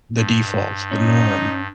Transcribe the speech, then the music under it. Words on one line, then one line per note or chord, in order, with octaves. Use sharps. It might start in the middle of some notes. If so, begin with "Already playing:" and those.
the default, the norm,
G2
C#4 D#4